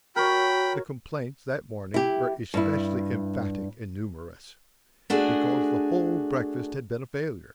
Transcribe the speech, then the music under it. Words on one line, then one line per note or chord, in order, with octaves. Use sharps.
The complaints that morning were especially emphatic and numerous, because the whole breakfast had been a failure.
F#4 A#4 C#5 G5 B5
E4 G4
G2 E4
A3 D4 F#4 G#4